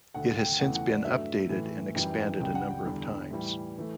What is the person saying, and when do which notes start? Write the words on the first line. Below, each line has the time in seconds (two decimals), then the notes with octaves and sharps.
It has since been updated and expanded a number of times.
0.14 D2 D3 A3 F#5
0.37 G5
0.59 E2 C#3 E3 A3 F#5
0.75 F#5
0.90 D5
1.05 G2 F#3 A3 E5
1.49 A2 E3 A3
1.95 F#2 E3 G3 G5
2.40 C#2 C#3 G3 G5
2.55 F#5
2.70 G5
2.86 E2 D3 G3
3.31 A2 E3 G3
3.78 E3 A3